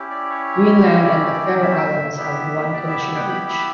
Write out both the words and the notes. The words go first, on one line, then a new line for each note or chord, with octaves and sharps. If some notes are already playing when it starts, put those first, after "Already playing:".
Greenland and the Faroe Islands have one Commissioner each.
Already playing: C#4 E4 G4
D5
C#5
D5
D5
E5
B3 E4 G4
D5
E5
F#5
G5
B5
B5